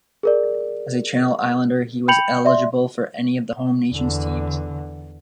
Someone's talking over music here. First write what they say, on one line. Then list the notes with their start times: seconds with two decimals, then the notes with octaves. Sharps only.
As a Channel Islander, he was eligible for any of the Home Nations teams.
0.23 G#4 A#4 D5
2.08 G5 B5 G6 C#7 F7 F#7
2.45 D5 E5 C6
3.92 E2 D3